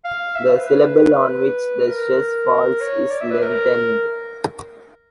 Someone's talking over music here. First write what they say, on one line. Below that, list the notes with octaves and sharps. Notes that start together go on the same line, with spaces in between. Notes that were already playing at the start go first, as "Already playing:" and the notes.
The syllable on which the stress falls is lengthened.
F5
E5
C5
B4
B4
B4
A#4
C#5
D5
E5
B4
A#4